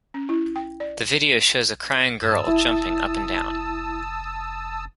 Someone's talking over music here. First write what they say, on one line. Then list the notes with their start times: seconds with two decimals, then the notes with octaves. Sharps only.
The video shows a crying girl jumping up and down.
0.14 C#4
0.29 E4
0.56 G5
0.80 D5
2.22 G2 A5 D#6 E6
2.48 F1 E4